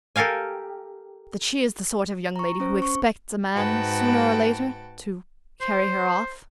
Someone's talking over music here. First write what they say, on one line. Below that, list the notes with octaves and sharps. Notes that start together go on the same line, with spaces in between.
"That she is the sort of young lady who expects a man, sooner or later, to carry her off?"
G4 A4 A#4 F5 G#5
A#5 C#6
C#4 C5
C#6
G#2 F#4 B4 G5 A5
C5